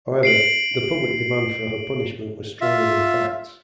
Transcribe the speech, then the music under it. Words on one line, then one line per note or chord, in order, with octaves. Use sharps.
However, the public demand for her punishment was stronger than facts.
C7 D7 F#7
F4 E5